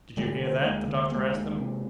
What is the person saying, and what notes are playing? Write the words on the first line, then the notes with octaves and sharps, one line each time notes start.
"Did you hear that?" the doctor asked them.
D3 G3 A3
D3
D2 G#3 A#3
D3
D2 G#3 A#3
D2
C3